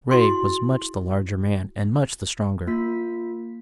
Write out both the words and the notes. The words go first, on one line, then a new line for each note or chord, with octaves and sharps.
Grey was much the larger man and much the stronger.
E4 F#4 G#4 C6
A#3 F4 B6